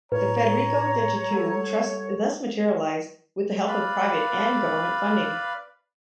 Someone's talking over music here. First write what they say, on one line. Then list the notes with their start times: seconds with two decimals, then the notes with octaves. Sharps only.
The Federico Degetau Trust thus materialized with the help of private and government funding.
0.12 A2 B4 C#5 A#5
1.31 G3 A4 F#5
3.68 B4 D5 F5 B5